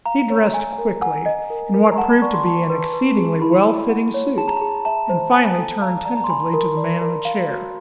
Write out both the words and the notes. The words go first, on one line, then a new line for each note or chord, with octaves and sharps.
He dressed quickly, in what proved to be an exceedingly well-fitting suit; and finally turned tentatively to the man in the chair.
F5 A#5
C#5
G#5
A#4
F#5 G#5
D#5
A#4
A#4
A#5
F#5 A5
B5
D5 C#6
C6
A5
B4
B4
G#4
E4 B5
E4
F#5
C#5
G#4 A5
A#5
G#4 A5
E5 A5
C5
G#5
A4
F5 A#5
D5 A#5
A#5
C6
G#5 B5
A#4
D5
A#4
F5
F#4